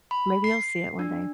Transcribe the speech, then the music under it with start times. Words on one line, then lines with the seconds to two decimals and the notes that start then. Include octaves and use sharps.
Maybe you'll see it one day.
0.11 B5
0.44 C7
0.99 D4